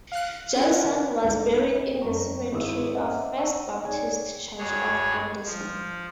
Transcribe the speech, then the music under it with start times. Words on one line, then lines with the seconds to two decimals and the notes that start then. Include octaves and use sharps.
Johnson was buried in the cemetery of First Baptist Church of Anderson.
0.12 F5 F#6
0.56 C#4 F4 A#4 B4 F#5
1.24 C2 G#2 D3
2.02 F#1 C4 A#4 A#5 C#6
2.52 G#1 E4 G#4 F5 D#6 E6
2.95 C4 C#4 D#5 E5 F#5 G#5
3.37 F#5 A#5 C#6 E6 D#7
3.85 D#4 G#4 C#5 D5 G5 G#5
4.59 G2 F#4 G#4 C#5
5.45 F3